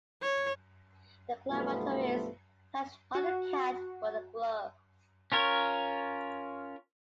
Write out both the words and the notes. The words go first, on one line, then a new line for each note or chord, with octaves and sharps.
The clan motto is "Touch not the cat but a glove".
C#5
B1 G2 F3 A3 B3 F4
F#4
C#4 F4 A#4 C#5